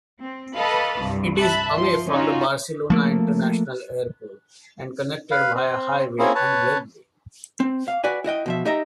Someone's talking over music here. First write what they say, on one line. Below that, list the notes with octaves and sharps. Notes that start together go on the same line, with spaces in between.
It is away from the Barcelona International Airport and connected via highway and railway.
C4
A4 B4 D#5 F5 A5 B5
C2 G2
E5 A5 B5 F#6
F3 C6
C#4 D#4 F4 F#4
F3 A3 A#3
B4 F5
C4
A#3 C4 C#4 E4 G#4
B4 C#5 A5
C4
F5
F#4 B4 D5 G#5
E4 F#4 D#5 G5
B2 F3 E5
D#4 G4 D#5 E5 G5 A#5